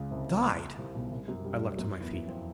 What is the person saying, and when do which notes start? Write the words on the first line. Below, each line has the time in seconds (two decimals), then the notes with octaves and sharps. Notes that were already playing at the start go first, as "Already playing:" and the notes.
"Died!..." I leaped to my feet.
Already playing: C#2 C#3
0.11 C2 C3
0.78 C2 C3
0.95 B1 B2
1.11 C2 C3
1.28 F#2 F#3
1.44 G2 G3
1.78 F#2 F#3
2.00 E2 E3
2.12 E2 E3
2.28 F2 F3